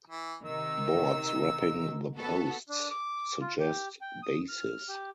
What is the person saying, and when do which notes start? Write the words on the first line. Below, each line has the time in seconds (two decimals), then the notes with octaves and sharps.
Boards wrapping the posts suggest "bases".
0.10 E3
0.46 C3 D#3 D#4 E6
2.17 B3 F#4 A4
2.69 D4
2.90 D6
3.41 F4
3.59 G4
4.01 G5
4.23 D#6
4.49 F6
4.89 G4